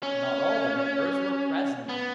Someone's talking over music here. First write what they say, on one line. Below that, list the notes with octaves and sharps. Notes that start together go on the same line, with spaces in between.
Not all the members were present.
C#4
B3